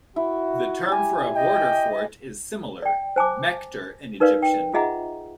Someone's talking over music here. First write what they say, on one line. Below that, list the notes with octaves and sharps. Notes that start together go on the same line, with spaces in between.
The term for a border fort is similar, "mekter", in Egyptian.
E4 F#4
G4 G#5
D#5 G5
D5 G5
C5 G#5 A5 D6
D#4 A#4 B4 D5 F5
G5
F4 G#4 D#5 E5 F#5 A#5